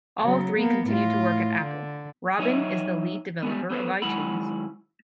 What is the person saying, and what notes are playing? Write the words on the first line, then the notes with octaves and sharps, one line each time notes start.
All three continue to work at Apple; Robbin is the lead developer of iTunes.
C#3 F#3
A#3 B3
A2 F4
D3
F#3 D#4 C#5 D#5 E5
G3 G#3 B3
B3 A4 B4 C5
D#3 F#3 G#3 E4 F#5 B5